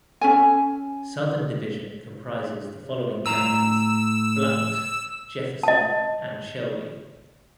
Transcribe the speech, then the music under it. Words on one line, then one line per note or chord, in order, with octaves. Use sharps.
Southern Division comprises the following counties: Blount, Jefferson, and Shelby.
C#4 A4 G#5
A2 A#5 E6
D#5 A5